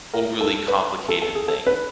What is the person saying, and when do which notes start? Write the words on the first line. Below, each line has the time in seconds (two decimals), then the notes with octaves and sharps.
overly complicated thing.
0.14 A#4
0.41 A4
0.68 B4
1.08 A4
1.22 A4
1.35 G#4
1.48 A4
1.67 B4